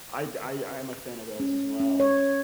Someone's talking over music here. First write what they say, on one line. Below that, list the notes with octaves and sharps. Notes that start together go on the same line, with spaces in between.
I'd I I am a fan of those as well.
C#4
C#4
C#5